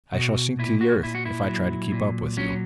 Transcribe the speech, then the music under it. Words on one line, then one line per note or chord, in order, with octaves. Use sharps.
I shall sink to the earth if I try to keep up with you.'
B2 F#4
A#2 E4
F#4
A#2 E4
F#4
E4
F#3
A#2
F#3 C#4